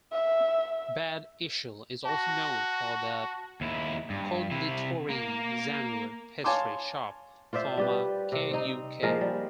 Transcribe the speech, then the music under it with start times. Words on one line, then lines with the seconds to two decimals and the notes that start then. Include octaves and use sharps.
Bad Ischl is also known for the "Konditorei Zauner" pastry shop, former k.u.k.
0.12 E5
2.05 F#4 A5 A#6
3.61 D#2 E4
4.10 G2
4.52 C3 E4
5.10 A#3 A#4
6.44 C#5 F5 G#5 A5 C6 D6
7.53 F4 C5 D5 E5
7.78 G3 G4 B4
8.32 C3
8.51 C4 D#4
9.03 F3 G#3 A#3 A#4
9.21 G3